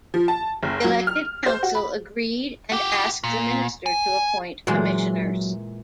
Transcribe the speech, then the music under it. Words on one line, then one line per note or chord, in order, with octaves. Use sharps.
The elected council agreed and asked the Minister to appoint commissioners.
F3
A5
F#1
F#3
F6
C5
F#4
B5
F#4 G4
A#2
G#5
A#2 E3 F#3 G#3